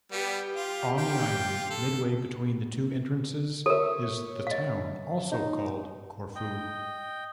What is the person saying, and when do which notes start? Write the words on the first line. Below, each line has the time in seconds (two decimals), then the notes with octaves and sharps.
On the island, midway between the two entrances, is the town also called Corfu.
0.12 G3 B3 G4
0.56 F4
0.98 F4 G5
1.70 A4
3.66 A4 A#4 C#5 E5
4.47 D#5 F5
5.32 D#4
6.35 D#5 G5